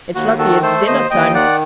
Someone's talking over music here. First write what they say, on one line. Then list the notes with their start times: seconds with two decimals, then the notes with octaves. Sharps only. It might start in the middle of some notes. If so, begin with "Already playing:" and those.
It's lucky it's dinner-time.
0.14 D#2 F#4
0.39 D#3 F#4 A4
0.62 A3 A4 C5
0.86 D#2 C5 D#5
1.10 D#2 D#5 G5
1.34 D#3 D5 F#5